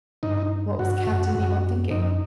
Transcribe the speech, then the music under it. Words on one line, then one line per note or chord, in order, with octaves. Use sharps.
What was Captain Nemo thinking?
G2 D#4
G2 F#4
F#2
F#2
F#2 D#4